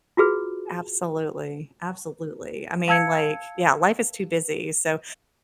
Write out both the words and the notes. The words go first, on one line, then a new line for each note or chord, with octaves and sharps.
Absolutely, absolutely, I mean, like, yeah, life is too busy, so
F4 F#4 G#4 B4
F5 A5 E6 G#6 C#7